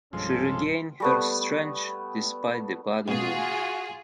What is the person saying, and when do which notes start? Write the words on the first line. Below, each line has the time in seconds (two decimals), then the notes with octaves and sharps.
She regained her strength despite the bad wound.
0.13 B1 G2 F3 G#3 C#4 A4 C6
1.00 G3 A3 B3
3.08 G#2 B2 F4 F#4 G#4